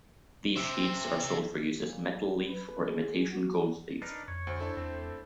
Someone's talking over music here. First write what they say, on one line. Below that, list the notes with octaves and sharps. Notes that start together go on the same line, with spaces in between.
These sheets are sold for use as metal leaf or imitation gold leaf.
C5 E5
A#2
B4
G#4
F#4
D4 D#4 A#4 B4
F2 C#5
D2 C5
D4 E4 A4
E2 A3 C4